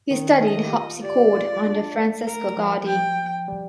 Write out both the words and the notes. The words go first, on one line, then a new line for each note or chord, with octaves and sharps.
He studied harpsichord under Francesco Gardi.
D#3
A3 D#5
A#3
G4
F4
G4 D5
F4
D4
D4
A3
A#4
F3
G5
G3